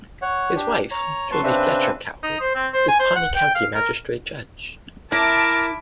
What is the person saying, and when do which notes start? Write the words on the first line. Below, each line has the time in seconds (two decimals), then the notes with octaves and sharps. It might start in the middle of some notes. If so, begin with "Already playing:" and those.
His wife Julie Fletcher Cowell is Pawnee County magistrate judge.
0.22 C#5 F#5
0.56 D4 G4
0.91 C#5 A#5
1.31 D2 F#3 B4 A5 C6 C#6
1.44 C#3 C4 D4 B4 E5
2.23 D#4
2.40 C5
2.55 C4
2.74 C5
2.88 G#5
3.00 C5
3.16 F#5
3.35 G5
3.55 F5
3.74 A#4
5.12 E4 A#4 E5 A5 D6